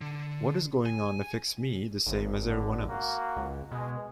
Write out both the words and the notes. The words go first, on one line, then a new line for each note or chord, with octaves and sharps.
What is going on affects me the same as everyone else.
D3
G#5
G#1 D2
D3
A#3 F#4
C#2
B2 G#3